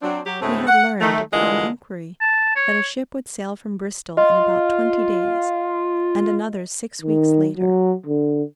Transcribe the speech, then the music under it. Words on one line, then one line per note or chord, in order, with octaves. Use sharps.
He had learned, upon inquiry, that a ship would sail from Bristol in about twenty days, and another six weeks later.
F#3 C4 D4
F#3 G4
D2 A2 G#3 A3 C4 A4
F#5
D#3 A3
D3 E3 G3 G#3 F4 A#4
A5
C#5
F4 D#5
D#3
F#3
D3